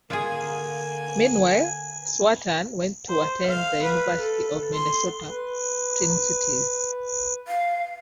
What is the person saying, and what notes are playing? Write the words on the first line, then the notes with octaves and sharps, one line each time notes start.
Meanwhile, S Watson went on to attend the University of Minnesota, Twin Cities.
D3 A#3 F4 G#4 G#5
C5
F5
B4
A4
C6
B4
F5